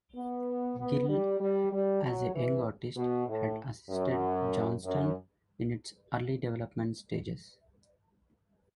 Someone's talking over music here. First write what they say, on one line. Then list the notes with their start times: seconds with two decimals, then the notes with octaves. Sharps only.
Gill as a young artist had assisted Johnston in its early development stages.
0.15 B3
0.78 B3
1.09 G3
1.40 G3
1.71 G3
2.03 F#3
2.34 E3
2.96 B2
3.28 A2
3.89 F#2
4.84 F#2